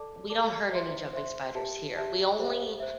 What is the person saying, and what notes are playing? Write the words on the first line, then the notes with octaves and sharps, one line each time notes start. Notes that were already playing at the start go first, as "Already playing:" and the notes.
We don't hurt any jumping spiders here. We only
Already playing: A4 D5 A5 D6
A4 D5 A5 D6
C5 E5 C6
C5 E5 C6
G4 E5 A5
G4 E5 A5
G4 C5 E5
C5 E5